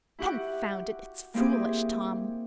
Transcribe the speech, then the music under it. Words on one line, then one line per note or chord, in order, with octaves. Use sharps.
"Confound it, it's foolish, Tom."
E4 F#4 G4 F#5
A#3 C4 E4 G4 G#4